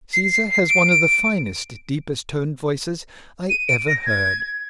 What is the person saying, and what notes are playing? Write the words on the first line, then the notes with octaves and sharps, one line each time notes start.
Caesar has one of the finest, deepest-toned voices I ever heard.
C7
C7
C7
D7
D#7
D7
A#6
G#6